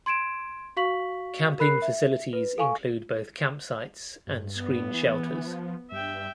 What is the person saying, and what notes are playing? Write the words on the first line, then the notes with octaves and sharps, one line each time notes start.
Camping facilities include both campsites and screened shelters.
C6 G#6 D7 E7
F#4 F5 C#6 B6 F#7
A#4 B5 F#6 C7
E5
B4
A4 F5 G#5 C#6
G2
B3
E3
F3
G2 E5 G5